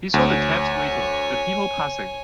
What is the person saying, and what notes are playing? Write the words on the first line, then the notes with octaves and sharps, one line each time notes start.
He saw the cabs waiting, the people passing.
D2 C#5 G#5